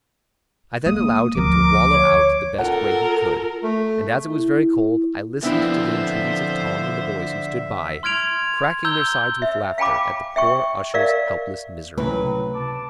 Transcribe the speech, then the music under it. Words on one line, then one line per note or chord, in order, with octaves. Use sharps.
I then allowed him to wallow out the best way he could; and as it was very cold, I listened to the entreaties of Tom and the boys who stood by, cracking their sides with laughter at the poor usher's helpless misery.
G#3 A#3 D#6
D2 F3 A#4 D6
C#5
F4 A4 A#4 F#5
A3
E4
D3 F3 B3 C4 D4 E4 C5 E5
C6 F6 G#6 D7 F7
A#5 E6 G6 G7
E5
F5 G5 G#5 B5 D6
E5 G5 C#6
A#4 D5 E5 F5
C#2 A2 C3 E3 F#3 A3 B4
A5 D6